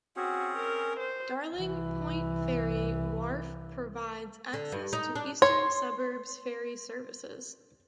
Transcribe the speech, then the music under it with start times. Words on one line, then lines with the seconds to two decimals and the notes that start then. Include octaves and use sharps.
Darling Point ferry wharf provides access to Eastern Suburbs ferry services.
0.16 C4 C#4 F#4 G#4
0.57 A#4
0.99 C5
1.55 C2 E3
4.53 D3
4.72 G2
4.93 D#4
5.15 D4
5.42 C#5 C6